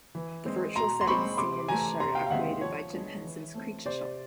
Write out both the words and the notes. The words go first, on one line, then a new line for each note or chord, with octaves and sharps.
The virtual settings seen in this show are created by Jim Henson's Creature Shop.
E3
G#3 C4
B2 A#5 C6
C6
G#3 C4 B5 C#6
C3 C6 D6
E3 A3 G#5 A#5
C3 A#5 C6
F5 G5
F5
D#3 G#3 C4 E5 F#5
F3 C#5
G#3 B3 D4
E3
A3 C4
C3 C5 D5